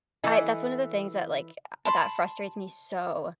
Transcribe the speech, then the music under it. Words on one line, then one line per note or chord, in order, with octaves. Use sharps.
I that's one of the things that, like, uh, that frustrates me so
E3 E4 A4 D#5 G#5
A5 B5 C6